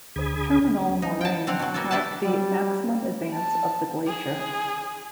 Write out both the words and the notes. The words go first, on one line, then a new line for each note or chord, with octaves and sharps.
Terminal moraines mark the maximum advance of the glacier.
D2 D3 G#4 B5 D#6 G#6
D#4
G5 A5
D3 C4 F5 F#5
B2 F#3
A#3 B3 F#4 A4
D4 E4 A4 B4 A5
G3
A5
G#4